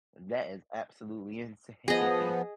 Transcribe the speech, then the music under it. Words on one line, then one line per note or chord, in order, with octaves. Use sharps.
That is absolutely insane.
F3 B3 G#4 D#5